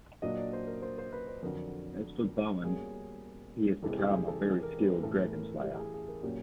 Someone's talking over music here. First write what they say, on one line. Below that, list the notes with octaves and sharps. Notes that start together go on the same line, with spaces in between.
As for Bowen, he has become a very skilled dragonslayer.
A#2 F#3 A#3 D4 D#5
D5
C5
A#4
C5
C5
B4
C5
F2 D3 F#3 A#4
B2 G3 A#3 C#4 G#4
E2 C3 E3 G#3 A4
G4
G#4
A4
A#4
B4
A2 E3 A3 A4
A#4
A#4
G4
G#4
G#4
A#4
A#2 F#3 A#3 C#4 G4